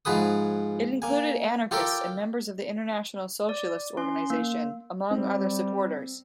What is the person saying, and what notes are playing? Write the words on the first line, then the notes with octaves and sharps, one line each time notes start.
It included anarchists and members of the International Socialist Organization, among other supporters.
G#2 F3 G#4 B4 D#6
A#3 G#5
F4 G4 A4 A#4 D5
D5
C#4 C6
A#3
G3 C4